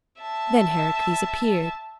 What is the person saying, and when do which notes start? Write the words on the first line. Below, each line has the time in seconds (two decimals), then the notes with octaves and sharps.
Then Heracles appeared.
0.22 E5 A5